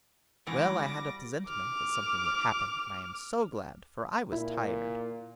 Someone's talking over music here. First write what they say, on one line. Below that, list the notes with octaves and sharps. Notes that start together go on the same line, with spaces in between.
'Well, I had a plesentiment that something would happen, and I am so glad, for I was tired!'
G#2 B2 E3 D6 A#6
G3
D6 F6
A#2 E4